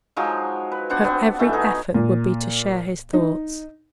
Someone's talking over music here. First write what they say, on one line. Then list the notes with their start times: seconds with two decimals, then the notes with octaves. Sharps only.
Her every effort would be to share his thoughts.
0.16 F3 F#3 G#3 D#4
0.72 B4
0.90 B3 D4 C5 F#5
1.05 B3 C4
1.39 B2 E3 A3
1.53 D#4 G#4
1.94 A#2
3.13 D#4